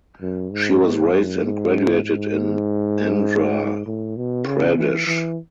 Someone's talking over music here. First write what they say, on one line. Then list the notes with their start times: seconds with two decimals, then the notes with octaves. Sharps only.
She was raised and graduated in Andhra pradesh.
0.22 F#2
0.52 G#2
0.83 G#2
1.12 F#2
1.43 G#2
2.04 G#2
3.86 A2
4.17 B2
4.47 C#3
4.77 E3
5.07 E3